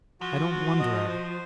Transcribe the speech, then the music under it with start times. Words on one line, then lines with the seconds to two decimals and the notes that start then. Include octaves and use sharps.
I don't wonder at it.
0.21 F3 F#4
0.50 F#4
0.79 D#5
1.09 C5